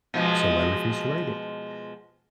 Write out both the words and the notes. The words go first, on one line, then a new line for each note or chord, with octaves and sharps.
So I refused to write it.
B2 F3 G#3